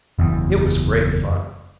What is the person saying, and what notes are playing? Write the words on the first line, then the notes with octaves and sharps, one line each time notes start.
It was great fun.
F#1 E2